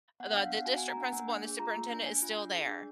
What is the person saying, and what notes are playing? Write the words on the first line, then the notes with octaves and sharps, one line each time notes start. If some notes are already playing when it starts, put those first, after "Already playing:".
The the district principal and the superintendent is still there.
B3 F#5
F#5
D4
F5
B3 F#5
F#4 G#5
G#5
B3
A#5
D4 F#5
A#3 G#5
D4
G#4
F4 A#5
A#3
D4
D4 G#5
F4
D4
G#4
D4